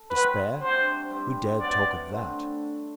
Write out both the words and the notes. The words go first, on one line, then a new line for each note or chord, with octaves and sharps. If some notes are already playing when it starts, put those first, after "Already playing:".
Despair! Who dared talk of that?
Already playing: A4
F#3 C4 F#4 B4
C3 G3 D4 F#4 C5
G3 C4 G4 C5
C3 F#3 B3 D5
D3 A3 C4